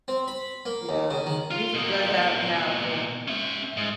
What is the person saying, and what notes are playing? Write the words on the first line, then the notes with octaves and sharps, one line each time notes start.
Yeah. Music does ha have the
C4
B5
A#3
D#2
C#3
D#3
F4
B2 A#3
C#4 E5
G#2